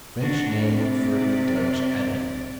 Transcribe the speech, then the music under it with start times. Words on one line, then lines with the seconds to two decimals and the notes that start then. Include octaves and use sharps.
French name for Dutch Edam.
0.20 D4 F#4
0.63 C3 D5